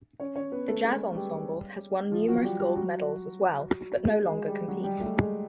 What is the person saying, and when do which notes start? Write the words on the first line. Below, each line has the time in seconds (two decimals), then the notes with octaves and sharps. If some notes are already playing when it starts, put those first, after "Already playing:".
The jazz ensemble has won numerous gold medals as well, but no longer competes.
0.20 C#4 C#5
0.36 C#4 C#5
0.52 B3 B4
0.68 A3 A4
0.84 G#3 G#4
1.16 G3 G4
2.12 F3 F4
2.28 F#3 F#4
2.44 G3 G4
2.60 G3 G4
2.76 F#3 F#4
4.04 G#3 G#4
4.26 G#3 G#4
4.47 G3 G4
4.68 F#3 F#4
4.84 G3 G4
5.00 A3 A4
5.16 G#3 G#4